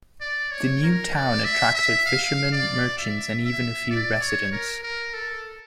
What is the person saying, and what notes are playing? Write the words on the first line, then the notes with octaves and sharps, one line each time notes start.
The new town attracted fishermen, merchants and even a few residents.
D5
C#5
A#4
D5
E5
E5
F5
D5
E5
E5
D5
C#5
A#4
A#4
A4